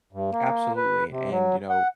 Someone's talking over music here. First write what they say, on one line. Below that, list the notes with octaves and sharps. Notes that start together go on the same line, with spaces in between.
Absolutely, and, you know,
G2
A#3
B4
C3
F#3
F#5